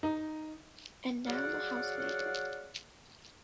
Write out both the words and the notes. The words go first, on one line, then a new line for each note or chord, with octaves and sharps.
And now I'm a housemaster.
D#4
F#3 G#4 C#5 D5 F5 F#5